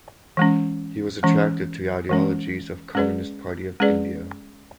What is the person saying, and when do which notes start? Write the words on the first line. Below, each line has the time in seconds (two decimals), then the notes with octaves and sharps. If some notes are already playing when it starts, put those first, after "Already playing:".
He was attracted to ideologies of Communist Party of India.
0.37 E3 G#3 C#4
1.23 E3 G#3 C#4
2.09 E3 G#3 C#4
2.95 G#3 C#4 G#4 B4 D5
3.80 G#3 C#4 G#4 B4 D5